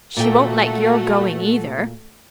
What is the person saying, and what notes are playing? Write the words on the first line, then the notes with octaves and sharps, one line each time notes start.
"She won't like your going, either."
A#2 A3 F#4 G5